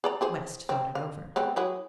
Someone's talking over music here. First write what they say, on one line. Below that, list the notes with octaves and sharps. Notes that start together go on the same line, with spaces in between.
West thought it over.
G#4 D5 A#5
E4 G#4 C5
C4
F5
G#3 B3 C4
F#3 E4 G#4